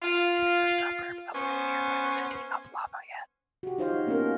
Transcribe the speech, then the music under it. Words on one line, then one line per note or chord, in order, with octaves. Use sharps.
It is a suburb of the nearby city of Lafayette.
F4
B3 C#4 C5
F#4 G4
D#4 F4 G4 C5 C#5 F5
A#3 B3 C#4 D4 A#4